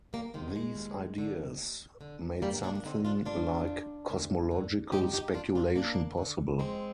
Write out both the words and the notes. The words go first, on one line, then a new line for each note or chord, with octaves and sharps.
These ideas made something like "cosmological" speculation possible.
G3 A#3
C3 D#3 G#3
G#3
D#2
D3
D#2
D3
G2 G3 A#3
A#3 D4
D4
D3 C4 D#4
D4 F4
G2 D4 F4
D#3
D2
D3
G2 D#4 G4
D#4 G4
D#3 D4 F4
D4 F4
D#2 A#3 D4
D3
F2 G#3 C4